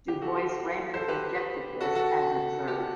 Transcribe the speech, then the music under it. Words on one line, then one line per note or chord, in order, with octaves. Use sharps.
Du Bois-Reymond rejected this as absurd.
G4
F#4 A4
A4 C5
G4 B4
F#4 A4
F#4 A4
G4